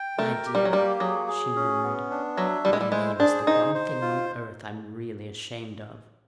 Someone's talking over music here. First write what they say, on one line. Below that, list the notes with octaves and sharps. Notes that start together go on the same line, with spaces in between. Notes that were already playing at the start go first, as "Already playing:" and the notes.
'My dear,' she murmured, 'my name is the one thing on earth I'm really ashamed of.
Already playing: G5
A3 A#4
G4
G3
F#3
G3 A#3
F#3 G#4
G#4
C#4
B3
D4
F#3 E5
G3 E4
G#3
G3
G#3 C5
D4 G#4
D#4 C5
C5
F4